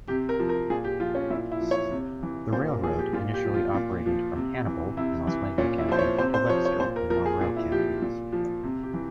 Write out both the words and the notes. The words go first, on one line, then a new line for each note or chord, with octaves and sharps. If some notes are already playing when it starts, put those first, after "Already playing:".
The railroad initially operated from Hannibal in Oswego County to Webster in Monroe County.
C3 G4
A#4
F3
A#4
A#2 G#4
G4
F3 F4
C#4
A#2 E4
E4
F3
C#5
C3
E3
A#2 C5
A#4
F3 G#4
G4
A#2 F4
G4
F3
F4
A#2
F3
C3
E3
C3 E4
E3
A#2 C#4
E4
F3 C5
C#5
C3 C5
C5
F3 C#5
C#5
A#2 C5
A#4
F3 A#4
G#4
A#2 G#4
E4
F3 G4
A#2
F3
C3
G4
E3